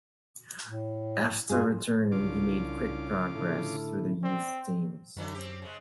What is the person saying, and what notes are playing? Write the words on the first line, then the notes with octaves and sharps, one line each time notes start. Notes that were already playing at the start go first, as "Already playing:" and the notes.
After returning, he made quick progress through the youth teams.
A2
G2 G#3 F4 G#4
C2 C#3 D4 F4 D6
A2 D3 E4 A4
C4 D5
F#2 D3 E3 F#3
C4 C#4 G4
C#3 G#3